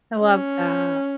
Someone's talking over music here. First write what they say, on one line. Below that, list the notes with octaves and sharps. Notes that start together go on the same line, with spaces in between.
I love that.
C#4